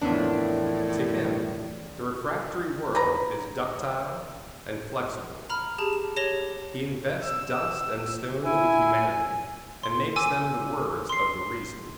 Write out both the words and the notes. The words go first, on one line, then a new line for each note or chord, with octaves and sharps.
To him, the refractory world is ductile and flexible; he invests dust and stones with humanity, and makes them the words of the Reason.
F2 A2 E3 B3 D4 E4 A#4 C#5
B4 A#5
A#5 B5 F6
G4 G#4 A5
E7
G4 C#5 A#6 F7 G7
E6
E4 G#5
C6
G#5 D6 E6 D#7
C6 C7